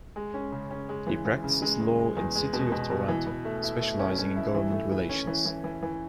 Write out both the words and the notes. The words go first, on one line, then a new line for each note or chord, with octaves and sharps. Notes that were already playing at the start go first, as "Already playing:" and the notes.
He practices law in the city of Toronto, specializing in government relations.
G#3
C#4
C#3
C#4
G#3
E3
E3
C#3
G#3
E2
G#3
E2
G#3
B2
B2
B2
E3
E3
A3
E4
A3
C#4
C#4
E4
E3
A3
E3
C#4
E3
E3
E3
E3